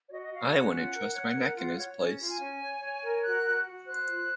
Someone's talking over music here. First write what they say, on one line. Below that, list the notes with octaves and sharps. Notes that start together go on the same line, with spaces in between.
I wouldn't trust my neck in his place.
C#5
F#4 D#5
D#5
F#4 F5
C#4 F#5
F4
A#4
C#5
A#4
F4
C#5
C#4
F4
G#5
C#4
C#5
C#5
A#4
F#4 F#6
F#4
F#4
C5 F#6
F4